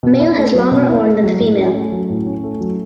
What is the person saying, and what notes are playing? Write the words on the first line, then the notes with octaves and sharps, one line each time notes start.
Male has longer horn than the female.
B2
E4
A3
F#3
B2
E4
A3
F#3
A2
C#4
A3
F#3
A2
C#4
A3
F#3